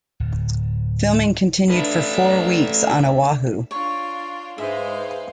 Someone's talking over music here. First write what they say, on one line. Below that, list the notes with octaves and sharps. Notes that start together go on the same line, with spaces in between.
Filming continued for four weeks on Oahu.
D1
A3 D4 B4 E5
D4 F4 C#5
G#2 G#3 B4 C5 E5 F5